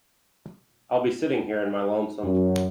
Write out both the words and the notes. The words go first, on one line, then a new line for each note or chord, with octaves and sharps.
I'll be sitting here in my lonesome.
F#2